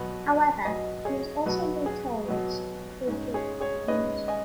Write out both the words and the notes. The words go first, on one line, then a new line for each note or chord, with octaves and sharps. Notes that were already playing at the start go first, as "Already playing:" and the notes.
However, he was also notorious for his weight problems.
Already playing: B2 F#3 B3 F#4 B4
B2 F#3 B3 D#5 G#5
G#4 C#5
B2 F#3 B3 F#4 B4
G#4
B2 F#3 B3
G#2 G#3 C#4
G#4 C#5
G#4 C#5
G#2 G#3 C#4 B4 D#5
D#5 G#5